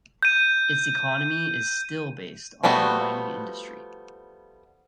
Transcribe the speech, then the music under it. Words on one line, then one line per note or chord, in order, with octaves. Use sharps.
Its economy is still based on the mining industry.
G6 D#7
F3 G3 A3 B3 F#4